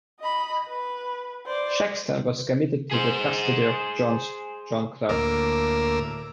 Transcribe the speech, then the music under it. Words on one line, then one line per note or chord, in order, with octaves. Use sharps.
Shaxton was committed to the custody of John Clerk.
D#5 B5
B4
C5 D5
G#4 C5
D2 A2 A#3 A#4 D6 E6